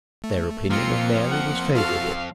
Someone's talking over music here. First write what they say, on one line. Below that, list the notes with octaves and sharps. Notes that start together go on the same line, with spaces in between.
Their opinion of Mary was favourable.
A3
F3 A#3 C4 F4 C#7
F#5
F4 F#4 A4 F5